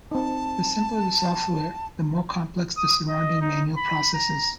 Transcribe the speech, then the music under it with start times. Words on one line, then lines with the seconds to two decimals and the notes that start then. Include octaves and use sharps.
The simpler the software, the more complex the surrounding manual processes.
0.11 C4 D#4 A5
2.77 D#6
3.09 D#5
3.41 D#4
3.77 B5
4.14 A#5